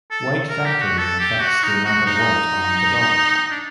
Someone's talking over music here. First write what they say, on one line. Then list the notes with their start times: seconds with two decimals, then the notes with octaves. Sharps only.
White factoring affects the amount of white on the dog.
0.11 A4
0.49 A#4
0.65 G4
0.81 F#4
0.98 A4
1.19 G4
1.41 F#4
1.63 D#4
1.85 F#4
2.06 D#4
3.51 D4